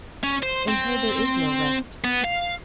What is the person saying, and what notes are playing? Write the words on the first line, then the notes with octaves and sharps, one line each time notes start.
In her there is no rest.
C#4
C5
C4
B3
F5